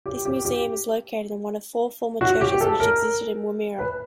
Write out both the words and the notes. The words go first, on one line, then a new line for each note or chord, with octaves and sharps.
This museum is located in one of four former churches which existed in Woomera.
G4
G4
G4
F#4
G4
A4
A#4
B4